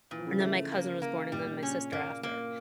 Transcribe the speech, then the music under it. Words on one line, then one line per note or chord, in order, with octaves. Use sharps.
and then my cousin was born and then my sister after.
A#2 E3
F3
C#3 E3
A3
C#3 A#3
A#3
A#2 G3
C#3
C#4
C#3
A#2 A#3
A#3